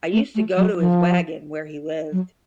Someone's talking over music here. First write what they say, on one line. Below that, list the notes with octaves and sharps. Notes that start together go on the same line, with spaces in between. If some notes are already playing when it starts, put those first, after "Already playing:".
I used to go to his wagon, where he lived.
A3
A3
F#3
F3
F#3